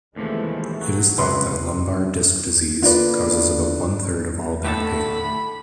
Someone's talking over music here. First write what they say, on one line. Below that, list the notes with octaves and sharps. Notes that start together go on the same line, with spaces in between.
It is thought that lumbar disc disease causes about one-third of all back pain.
D#2 C3 E3 F3 G#3 A3
F#3
F1 C#2 C3 B4 C6
D3 A#3 D4 F4 B4 D5
A2 D3 A3 A4 B5